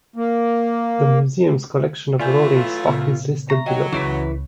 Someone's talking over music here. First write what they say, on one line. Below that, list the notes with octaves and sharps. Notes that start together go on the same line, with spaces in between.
The museum's collection of rolling stock is listed below.
A#3
E3 F#3 A3 F4 D5 G#5 G6
A#2 C#3 B3
E5 A#5 C#6
F#3 D#5 G5
C#2 C#3 E3 B4